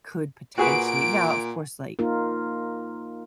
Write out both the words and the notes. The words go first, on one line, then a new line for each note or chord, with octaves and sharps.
could potentially now, of course, like,
A#2 F#4 G#4 B4 D7
A#3 D#4 F4 A#4